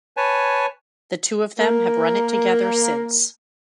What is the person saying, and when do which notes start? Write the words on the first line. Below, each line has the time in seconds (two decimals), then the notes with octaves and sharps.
The two of them have run it together since.
0.17 B4 C#5 G#5 A5
1.58 A#3 A#4